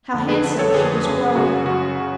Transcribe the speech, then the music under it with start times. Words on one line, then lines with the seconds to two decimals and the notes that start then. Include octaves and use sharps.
How handsome she was growing!
0.14 F2 D3
0.29 G#4 B4
0.44 F2 D3
0.59 A4 C#5
0.74 F2 D3 G#4 B4
1.05 F#2 C#3
1.35 F#2 C#3 F#4
1.65 F#2 C#3 F#4
2.00 C#3